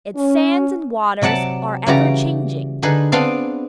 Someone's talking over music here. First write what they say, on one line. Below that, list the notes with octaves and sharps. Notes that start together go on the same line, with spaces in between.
Its sands and waters are ever changing.
C#4
C3 F#3 D5 F#5 A5
C#3 E3 G3 F#4 D5 A#5
D3 D4 D#4 G#4 B4
B3 C4 D4 D5 F5